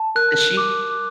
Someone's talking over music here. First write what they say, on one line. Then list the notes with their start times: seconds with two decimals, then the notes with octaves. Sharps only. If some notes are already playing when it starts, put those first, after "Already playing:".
And she
Already playing: A5
0.16 A#4 F#6
0.57 D6